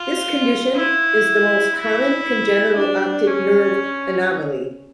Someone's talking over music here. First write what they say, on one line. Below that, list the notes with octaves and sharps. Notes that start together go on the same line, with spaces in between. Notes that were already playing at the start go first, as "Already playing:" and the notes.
This condition is the most common congenital optic nerve anomaly.
Already playing: F4
E4
E4
D4
C#4